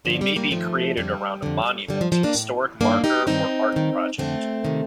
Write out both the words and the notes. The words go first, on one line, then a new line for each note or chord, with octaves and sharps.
They may be created around a monument, historic marker or art project.
G2 D3 F3
G3
G3 A#3
G2 D#3 F3 A3
F2 D3 G3
F2 D3
G2 D3 G3
F3
F3
A#3 D4
A2
G2 D#3 A#3 D4
D#4 G4
G2 D#3 C4 D#4
G2 D#3
F2 D3 A3 C4
C3 D#3